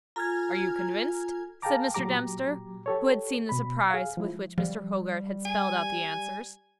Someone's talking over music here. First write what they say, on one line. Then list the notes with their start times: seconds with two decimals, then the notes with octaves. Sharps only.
"Are you convinced?" said Mr. Dempster, who had seen the surprise with which Mr. Hogarth had spelled out the answers.
0.16 F4 A4 G#5 A#5 F6 G#6
1.62 G#4 F5 G5 A5 A#5 D6
1.94 A#2 F#3 G4 A#5 D6
2.86 G4 A4 C#5
3.49 B2 B5
3.90 G#4 F5
4.17 F3 G#3 E4
4.58 F3 G3
5.45 G#5